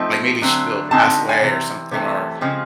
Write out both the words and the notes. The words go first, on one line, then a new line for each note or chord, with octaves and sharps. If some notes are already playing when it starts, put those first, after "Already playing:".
Like, maybe she'll pass away or something, or,
Already playing: F3 A3 C4 D#4
D3 F#3 A3 C4
D3 G3 C4 D#4 A5
G#5
C3 E3
C3 E3 A3 C4
C#3 F3 G#3 C4